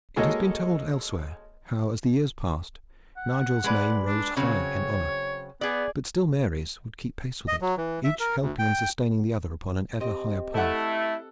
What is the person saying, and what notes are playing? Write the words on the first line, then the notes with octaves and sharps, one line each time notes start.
It has been told elsewhere how as the years passed Nigel's name rose higher in honor; but still Mary's would keep pace with it, each helping and sustaining the other upon an ever higher path.
G#3 A#3 F#4 A4 C#5 D#5
F#5
G#3 B4 D5
D4
C#3 F#3 C4 C#5
B3 G#4 D5
D#5
F#3
E3
E5
A#4
D2
G5
C4 G4 D#5
A3 E4 A4 F#5